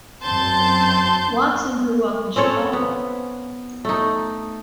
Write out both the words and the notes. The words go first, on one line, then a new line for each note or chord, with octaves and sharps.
Watson grew up in Chicago.
F#2 C4 A5 C6 G6
C4 C#4 A4 C#5
B3
A3 D#4